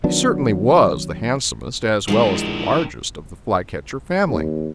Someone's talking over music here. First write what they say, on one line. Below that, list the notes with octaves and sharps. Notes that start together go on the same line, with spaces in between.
He certainly was the handsomest as well as the largest of the Flycatcher family.
D#3 F#3 B3 D4
D#3 F3 G#3 D4 E4
D#2